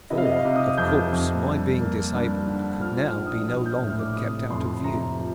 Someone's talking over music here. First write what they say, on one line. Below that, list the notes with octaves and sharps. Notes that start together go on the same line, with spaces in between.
For, of course my being disabled could now be no longer kept out of view.
C3 D#5
F5
D#5
F5
C3
D#6
F2 G6
F2
G2
A#3
G2
D3
F3 F6
F6
A#1
D#6
A#1 F6
G6
A2 F6
D6
C3 D#6
F2 C6
C3 A#5
F3